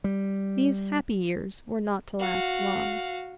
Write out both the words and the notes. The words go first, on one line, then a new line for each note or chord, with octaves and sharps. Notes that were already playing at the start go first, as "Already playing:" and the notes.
These happy years were not to last long.
G3
F#4 F5